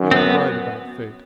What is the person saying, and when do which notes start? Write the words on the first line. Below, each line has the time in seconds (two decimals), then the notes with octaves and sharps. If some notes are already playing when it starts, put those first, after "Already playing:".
You were right about Fate.
Already playing: F#2
0.11 C4
0.16 B3